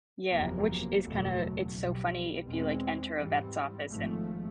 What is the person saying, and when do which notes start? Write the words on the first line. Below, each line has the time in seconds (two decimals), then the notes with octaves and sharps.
Yeah, which is kinda it's so funny if you, like, enter a vet's office in
0.31 F#1 E2 C3 F3 A#3
1.03 F#1 E2 B2 F#3 A3
1.74 B1 B2 G3
2.46 E2 B2 G#3 C4
3.18 G#2 E3 G3 C4
3.90 G#1 G#2 F3 A3